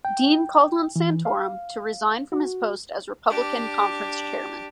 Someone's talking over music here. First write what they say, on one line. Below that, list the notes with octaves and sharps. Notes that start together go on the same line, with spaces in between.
Dean called on Santorum, to resign from his post as Republican Conference chairman.
G5
E3
F5
F#4
D4 G4